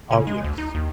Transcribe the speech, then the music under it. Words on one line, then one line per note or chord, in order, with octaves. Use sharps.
Oh, yes.
C#3
G#3
D2
D#4
D#2